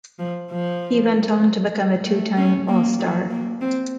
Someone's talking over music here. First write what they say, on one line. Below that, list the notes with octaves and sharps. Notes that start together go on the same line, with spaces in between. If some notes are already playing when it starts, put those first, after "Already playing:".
He went on to become a two-time All-Star.
F3
F3
A3
C#4
A#3
F#3
A#3
C4